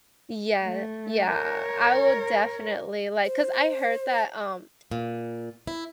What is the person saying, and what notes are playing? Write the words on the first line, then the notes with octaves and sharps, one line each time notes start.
Yeah. Yeah, I will definitely, like 'cause I heard that, um,
A3
A#4 C#5
C5
A#2
E4